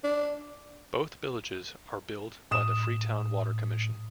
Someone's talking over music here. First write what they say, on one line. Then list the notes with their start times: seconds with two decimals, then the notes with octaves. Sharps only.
Both villages are billed by the Freetown Water Commission.
0.04 D4
2.51 A2 D#6 E7